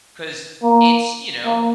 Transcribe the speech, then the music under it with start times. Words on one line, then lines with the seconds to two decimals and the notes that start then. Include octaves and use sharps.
'cause it's, you know,
0.63 A#3
1.45 A#3